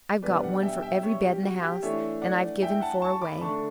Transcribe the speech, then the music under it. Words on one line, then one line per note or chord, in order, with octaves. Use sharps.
I've got one for every bed in the house, and I've given four away.
B2 G3 D4 B4 D5
D5 F#5
E5 G5
E5 G5
C#5 E5
G4
F#4
G4
E3 A3 D4 C#5 E5
D5 F#5
E5 G5
F#5 A5
A5 C#6
B5 D6
D3 A3 D4 A5 C#6